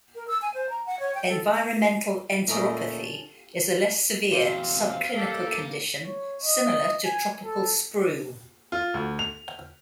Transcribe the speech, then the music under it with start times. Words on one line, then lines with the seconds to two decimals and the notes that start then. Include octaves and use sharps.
Environmental enteropathy is a less severe, subclinical condition similar to tropical sprue.
0.15 A#4
0.28 E6
0.42 G#5
0.54 C5
0.69 A#5
0.86 F#5
1.00 C#5
1.15 G5
1.29 A4
2.48 A#2 A3 C#4 A#4 D#5 A5 A#5
4.32 E2 C3 C4 F#4 F5
5.15 A#3 G4 A4
6.05 C#5
6.43 D#5
7.05 G#5
7.44 A4
8.72 F4
8.94 D2
9.19 F7